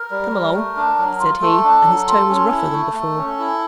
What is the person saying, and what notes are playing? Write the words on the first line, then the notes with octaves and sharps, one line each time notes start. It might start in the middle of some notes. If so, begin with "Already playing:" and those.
'Come along,' said he, and his tone was rougher than before.
Already playing: A#4
G3
G3
A3
D4
F#3
F4
A3 A4
D4
F#3
F4
C#4
E4
A3
A3
C#4
E4